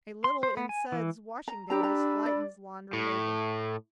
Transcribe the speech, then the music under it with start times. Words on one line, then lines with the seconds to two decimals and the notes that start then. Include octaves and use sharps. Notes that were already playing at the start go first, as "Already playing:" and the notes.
A little in suds washing days lightens laundry labor.
0.24 C6
0.43 C5
0.57 B3
0.69 G#5
0.92 E3
1.48 A#5
1.70 D4 G4 A#5 B5 E6
1.83 G4 A#5
2.26 D5
2.93 A2